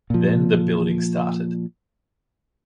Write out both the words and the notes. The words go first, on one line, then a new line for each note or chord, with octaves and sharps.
Then the building started.
A#2 F3